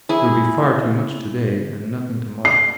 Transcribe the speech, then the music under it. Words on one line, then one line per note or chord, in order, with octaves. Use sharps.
There would be far too much today and nothing tomorrow.
E4 G#4
C7